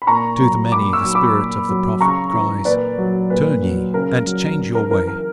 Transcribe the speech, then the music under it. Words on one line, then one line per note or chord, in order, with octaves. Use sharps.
To the many, the spirit of the prophet cries, 'Turn ye, and change your way!
B5
A#2 A#5 C#6
F#3
A#2 B5 D6
C#6 E6
F#3
B5 D6
A#2
F#3
C#3 A#5 C#6
E3
A#2 B4 D5
F#3
A#2 B4
F#3
C#3 A#4
F#3
C#3
A#4
E3 A#4
A#4